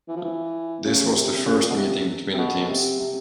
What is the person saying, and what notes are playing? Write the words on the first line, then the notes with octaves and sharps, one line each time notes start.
This was the first meeting between the teams.
E3
F3
E3
C#3
C3
C3
C#3
A#2
B2
C3
C3
B2
C3
C3